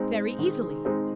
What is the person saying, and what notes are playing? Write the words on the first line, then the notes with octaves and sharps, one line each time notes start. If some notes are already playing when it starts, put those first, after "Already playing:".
"Very easily."
Already playing: G#3 C4 D#4
D#3
G#3 C4 D#4